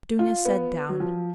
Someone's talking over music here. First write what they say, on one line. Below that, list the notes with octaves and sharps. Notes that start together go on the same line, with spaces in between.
Dounia sat down.
F4
B3
F#3
F3